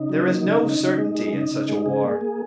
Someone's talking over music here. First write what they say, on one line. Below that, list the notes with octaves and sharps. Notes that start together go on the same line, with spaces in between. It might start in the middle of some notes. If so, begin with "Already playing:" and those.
There is no certainty in such a war.
Already playing: C#3 D#4
F#3
A#3
C#3
C#3
C#3
G#3
G#3
C#3 D#4
C#3
G#3
C#3 G#4
A#3
A#3